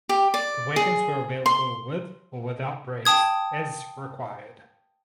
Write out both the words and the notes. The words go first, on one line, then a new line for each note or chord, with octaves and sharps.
The wagons were available with or without brakes as required.
G4
D5
G#4
C6
G5 A5 D#6 G#6